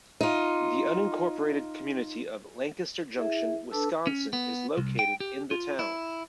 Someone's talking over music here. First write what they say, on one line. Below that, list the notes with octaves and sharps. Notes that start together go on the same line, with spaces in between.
The unincorporated community of Lancaster Junction, Wisconsin is located in the town.
D#4 F4
E4 G#4 E5
D4 A4 B4 A5 E6
C#4
B3
C2
G5
G4
F4
E4